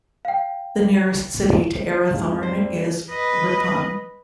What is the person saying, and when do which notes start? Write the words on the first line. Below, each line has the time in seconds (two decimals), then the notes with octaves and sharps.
The nearest city to Arrathorne is Ripon.
0.25 F5 G5
2.13 F2 G#2 F4 F5
2.43 G3 C5
3.10 B4 D#5